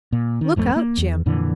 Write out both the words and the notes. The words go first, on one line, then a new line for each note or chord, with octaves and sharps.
'Look out, Jim!
A#2
D#3
G#1 F2 D#3 A3
A#3
E2
F2 A#2 D3 E3